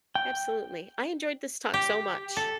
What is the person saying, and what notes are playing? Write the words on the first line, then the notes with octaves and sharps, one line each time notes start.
Absolutely. I enjoyed this talk so much.
G5
G4
A4